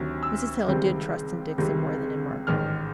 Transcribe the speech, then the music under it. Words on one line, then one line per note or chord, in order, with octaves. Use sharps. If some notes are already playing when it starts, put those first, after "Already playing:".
Mrs. Hale did trust in Dixon more than in Margaret.
Already playing: D2 C3 D#3 F#3
E6
C#2 C3 D#3 G3 C4
C#2 C3 D#3 G3 C4
A1 G#2 D#3 F6